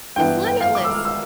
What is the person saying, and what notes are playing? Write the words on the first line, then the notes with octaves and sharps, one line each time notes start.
It's limitless.
G2 E3 B3 G5
G5
F5
D6
E6
F6
E6